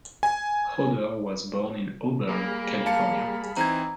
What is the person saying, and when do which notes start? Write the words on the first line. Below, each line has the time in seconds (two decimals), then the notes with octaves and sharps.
Hodder was born in Auburn, California.
0.23 G#5
2.29 G3 A#3 G#4 B5
2.86 F5 A5 C#7
3.57 E3 C4 D#4 A#5 G#6